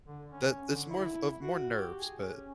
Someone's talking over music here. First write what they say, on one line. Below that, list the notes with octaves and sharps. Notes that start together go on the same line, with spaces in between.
that that's more of of more nerves, but
D3
C#4
D3
E4
F#4
G4
G#4
C#4